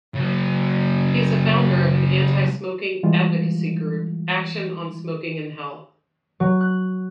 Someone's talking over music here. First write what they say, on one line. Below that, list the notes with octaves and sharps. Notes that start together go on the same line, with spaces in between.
He is the founder of an antismoking advocacy group, Action on Smoking and Health.
C#3 F#3
E3 G3 G#3 F4
F#3
F#6